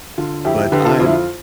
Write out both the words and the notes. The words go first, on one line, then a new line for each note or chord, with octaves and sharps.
But I
D3 F4
F2 E4 G4
D3 G4 B4
F4 A4
F2 F4
E4
F4